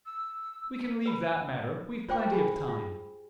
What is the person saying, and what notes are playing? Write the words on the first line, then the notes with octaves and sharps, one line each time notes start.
We can leave that matter--we've plenty of time.
E6
B4 B5
F4 C5 G5 D6
G4 G#4 G#5 B5
F4